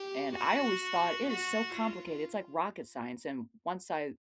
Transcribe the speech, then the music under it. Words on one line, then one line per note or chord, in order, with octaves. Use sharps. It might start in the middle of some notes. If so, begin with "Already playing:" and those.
and I always thought, "It is so complicated, it's like rocket science," and once I
Already playing: G4
F#4
F#4
F4